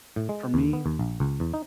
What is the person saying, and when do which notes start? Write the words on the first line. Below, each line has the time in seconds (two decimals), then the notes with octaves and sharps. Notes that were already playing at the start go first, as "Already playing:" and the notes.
for me,
0.16 A2
0.29 G#3
0.54 D#2
0.73 B3
0.86 D#2
0.99 A#1
1.20 C#2
1.40 E2
1.54 D#4